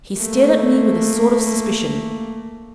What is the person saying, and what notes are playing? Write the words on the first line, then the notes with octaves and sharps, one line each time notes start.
He stared at me with a sort of suspicion.
A3 A#3